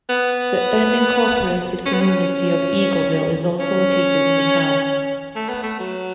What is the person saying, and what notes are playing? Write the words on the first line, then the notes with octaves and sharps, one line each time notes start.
The unincorporated community of Eagleville is also located in the town.
B3
C#4
B3
C#4
C#4
A3
B3
A3
F#3